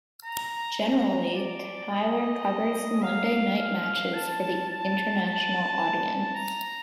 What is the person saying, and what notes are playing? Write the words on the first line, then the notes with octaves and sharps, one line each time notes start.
Generally Tyler covers the Monday night matches for the international audience.
A#5
A#5
D5
D#5
F5
F5
A5
A5
A5
A#5